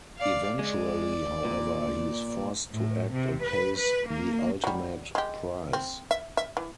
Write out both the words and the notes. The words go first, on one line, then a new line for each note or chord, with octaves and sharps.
Eventually, however, he is forced to act and pays the ultimate price.
D5 F5
G#3 D5
A#2
A2
C3
B4
B4
A#3
F#3 G3
G#3 G4
C4
E5
E5
E3